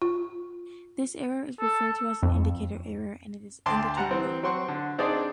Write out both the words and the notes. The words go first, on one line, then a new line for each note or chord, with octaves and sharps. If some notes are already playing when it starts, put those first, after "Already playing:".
This error is referred to as an indicator error, and it is indeterminate.
F4
A4
F2
D2 G5 A5 C6 D6
G3 F#5 A#5
E3 C4
F#3 C4 F#5 C6 C#6
D3
C4 D4 D#4 G#4 D5